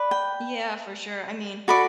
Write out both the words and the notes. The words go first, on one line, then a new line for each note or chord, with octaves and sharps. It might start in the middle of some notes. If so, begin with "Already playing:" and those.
Yeah, for sure, I mean,
Already playing: B4 D5
G5
F#4 A4 D5 B5